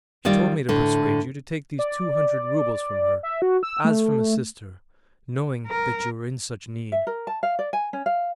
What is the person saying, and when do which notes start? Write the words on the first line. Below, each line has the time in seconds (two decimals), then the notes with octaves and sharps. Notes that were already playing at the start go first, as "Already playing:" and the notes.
She told me to persuade you to take these two hundred roubles from her, as from a sister, knowing that you are in such need.
0.25 D#3 G3 F4 D5
0.69 A2 D3
1.79 D5
3.23 E5
3.42 F#4
3.63 E6
3.84 A3
5.67 A#4
6.92 E5
7.07 A#4
7.27 A5
7.43 F5
7.59 D5
7.73 G#5
7.93 C#4
8.06 F5